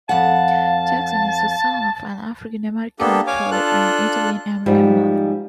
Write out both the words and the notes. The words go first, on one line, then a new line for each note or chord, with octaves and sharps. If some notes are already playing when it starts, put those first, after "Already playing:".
Jackson is the son of an African-American father and an Italian-American mother.
F2 F5 F#5 A5
A#3 B3 D4 G4 A4
C#5 F5 G#5 D6
D4 F4 A4 F#6
G#2 F3 G3